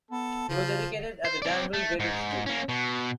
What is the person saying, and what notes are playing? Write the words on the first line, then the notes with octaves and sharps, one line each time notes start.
He was educated at the Danville Graded School.
B3 A4
C#3 F3
D3
C5
C4 D5
A3
G#2
A#3 C#4
B2